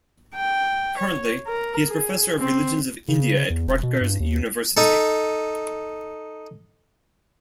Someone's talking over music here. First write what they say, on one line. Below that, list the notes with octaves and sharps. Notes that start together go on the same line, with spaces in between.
Currently, he is professor of religions of India at Rutgers University.
G5
C#5
A#4
G#4
C4
C#3
E2
E1
B2
G2
D#2
D#4 A4